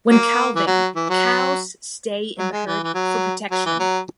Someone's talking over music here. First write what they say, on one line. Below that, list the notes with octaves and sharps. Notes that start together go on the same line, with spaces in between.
When calving, cows stay in the herd for protection.
F#3 A#3
E3
F#3
E3
F#3
F#3
G#3
E3
E3
F#3
F#3
E3
F#3